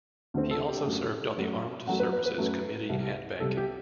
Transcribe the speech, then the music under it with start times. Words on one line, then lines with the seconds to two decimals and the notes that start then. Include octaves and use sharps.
He also served on the Armed Services Committee and Banking.
0.34 D2 D3 A3 C4
0.51 A4
0.68 G4
0.85 F#2 F#3 A3
1.36 F#2 F#3 A3
1.87 F#2 F#3 A3 F#5
2.00 B4
2.13 B4
2.26 B4
2.38 F#2 F#3 A3
2.89 C2 C3 G3
3.40 C2 C3 G3 A4
3.57 G4